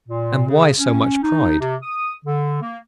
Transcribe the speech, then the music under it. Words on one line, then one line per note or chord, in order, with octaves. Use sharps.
And why so much pride?
A#2
C#3
C#4
D#4
C3
D#6
D3
A#3